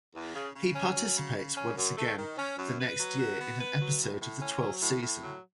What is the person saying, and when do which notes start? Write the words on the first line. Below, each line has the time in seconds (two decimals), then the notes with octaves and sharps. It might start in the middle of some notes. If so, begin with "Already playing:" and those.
He participates once again the next year in an episode of the twelfth season.
0.14 E2
0.34 C#3
0.54 C#3
0.75 C#4
0.95 F#3
1.16 C#3
1.36 C#3
1.56 C#4
1.76 F#2
1.97 A3
2.17 D#3
2.37 C#4
2.57 F#2
2.79 B4
2.98 F#3
3.19 F#4
3.39 B3
3.60 B4
3.80 F#3
4.01 A2
4.21 A2
4.41 C#4
4.61 F#3
4.82 A2
5.02 A2
5.23 F#3